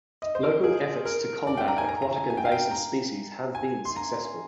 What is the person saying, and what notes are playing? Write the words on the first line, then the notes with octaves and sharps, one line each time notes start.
Local efforts to combat aquatic invasive species have been successful.
D#5
C5
A#4
G#4
A#4
D5
G5
A#5
G#5
A#5
A#5
G#5
G#5
G5
F5
G5
A#5
G#5
C6
A#5